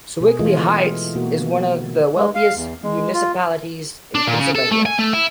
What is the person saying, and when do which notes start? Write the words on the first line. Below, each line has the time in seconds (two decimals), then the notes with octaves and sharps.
Sewickley Heights is one of the wealthiest municipalities in Pennsylvania.
0.20 B2 G#4
0.39 E3 G#3 A3 F4 D#5
1.15 B2 A#3 F4 F#4 A#4
2.16 G#3
2.35 F5
2.55 E2
2.83 G#3
3.13 F4
4.15 D4
4.27 A#2
4.39 C#3
4.55 A4
4.71 A3
4.85 G#5
4.99 A3
5.13 E4